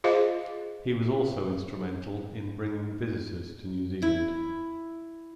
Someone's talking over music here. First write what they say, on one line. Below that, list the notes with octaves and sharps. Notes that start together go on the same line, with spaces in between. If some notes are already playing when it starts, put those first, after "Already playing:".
He was also instrumental in bringing visitors to New Zealand.
F4 G#4 C5 D#5 F5
E4